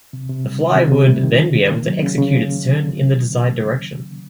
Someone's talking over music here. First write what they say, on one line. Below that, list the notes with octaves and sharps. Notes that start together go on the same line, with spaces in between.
The fly would then be able to execute its turn in the desired direction.
C3
C3
G3
D#3
C3
C3
G3
D#3
C#3
C#3
A#3
F#3
C#3
C#3